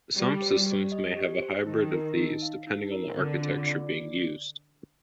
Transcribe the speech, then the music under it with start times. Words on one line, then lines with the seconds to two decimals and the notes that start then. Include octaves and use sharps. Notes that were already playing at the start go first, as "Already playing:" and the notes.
Some systems may have a hybrid of these depending on the architecture being used.
0.16 G3 G4
0.42 C5
0.66 G4
0.92 D#5
1.17 G4
1.42 C5
1.66 D#3 D#4
1.92 A#4
2.17 D#4
2.42 F5
2.67 D#4
2.92 A#4
3.17 D3 C4
3.41 F4
3.67 D5